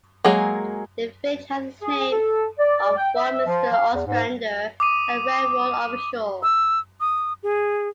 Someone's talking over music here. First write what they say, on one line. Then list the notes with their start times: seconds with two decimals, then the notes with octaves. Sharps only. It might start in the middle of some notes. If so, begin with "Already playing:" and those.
The village has the name of one Mr. Ostrander, a railroad official.
0.24 F#3 G#3 A#3 G#4
1.82 G#4
2.11 A4
2.59 D5
2.97 G5
3.16 E5
3.47 F3
3.73 F5
3.94 E2
4.07 G#2
4.80 D6 D#6 D#7
6.43 E6
7.00 D#6
7.43 G#4